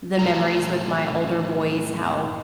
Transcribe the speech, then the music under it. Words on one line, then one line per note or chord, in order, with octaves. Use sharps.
the memories with my older boys, how
F#2 A2 A3 A#5